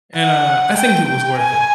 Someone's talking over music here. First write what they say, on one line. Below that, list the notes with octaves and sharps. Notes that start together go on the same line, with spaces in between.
And, uh, I think it was worth it.
F#5
G5
G5
G#5